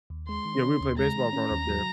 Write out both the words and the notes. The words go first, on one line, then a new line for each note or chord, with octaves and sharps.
yeah, we would play baseball growing up there,
D#2
G#3 C6
D#3
C#4
D#2
G#3 A#5
D#3
C#4
D#2
F#3